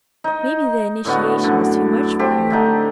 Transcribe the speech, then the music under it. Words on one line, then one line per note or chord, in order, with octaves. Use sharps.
"Maybe the initiation was too much for her."
D#4 D#5
A2 D3 B3 F#4
F#2 D3
A3 C4 G4
D3 A3 D#4